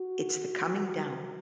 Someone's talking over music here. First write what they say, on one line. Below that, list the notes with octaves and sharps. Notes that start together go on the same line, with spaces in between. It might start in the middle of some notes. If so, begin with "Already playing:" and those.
It's the coming down.
Already playing: F#4